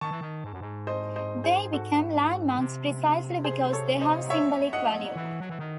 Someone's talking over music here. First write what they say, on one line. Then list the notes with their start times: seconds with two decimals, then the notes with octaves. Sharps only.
They become landmarks precisely because they have symbolic value.
0.01 D#3 A5 C#6
0.11 E3
0.21 D#3
0.44 G#2
0.53 F#2
0.61 G#2
0.87 C5 D#5
1.16 C5 D#5
1.44 G#4 C5
1.73 F#4 A4
2.58 C3
3.44 G#4 C5
3.73 A4 C#5
4.01 C5 D#5
4.30 C#5 E5
4.73 D#5 F#5
5.16 E3
5.40 F#3
5.49 E3
5.59 D#3